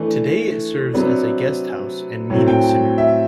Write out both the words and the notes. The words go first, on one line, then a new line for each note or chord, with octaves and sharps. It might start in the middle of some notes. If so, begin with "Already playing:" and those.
Today it serves as a guesthouse and meeting center.
Already playing: E3 A3 D4
C3 F#3 B3 D4
A2 F#3 C4
G5
G5
E5